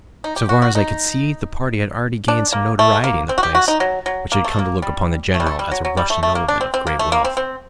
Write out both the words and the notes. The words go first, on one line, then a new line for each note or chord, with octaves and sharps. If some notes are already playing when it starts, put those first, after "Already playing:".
So far as I could see, the party had already gained some notoriety in the place, which had come to look upon the General as a Russian nobleman of great wealth.
D#4
G4
F#4
F#4
D#4
D4
A#3
A3
A#3
C4
F#4
G4
F#4
D#4
F#3
F#3
A#3
A3
A#3
G3
A3
G3
A3
G3
F#3
F#3
G3
A3
A3
A#3
D4
C4
C4
A#3
A3
A#3
C4
C4